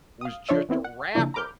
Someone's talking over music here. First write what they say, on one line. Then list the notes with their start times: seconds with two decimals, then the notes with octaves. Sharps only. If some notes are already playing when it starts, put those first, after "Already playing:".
was just a wrapper,
0.21 F5 D#6
0.49 F3 D4 F4 C#5 D5 E5
0.69 E3 B3 C4 E4
0.84 F#5
1.15 C#3 F3 A#3 D4 E4
1.34 A#5 B5 D6 F6 G6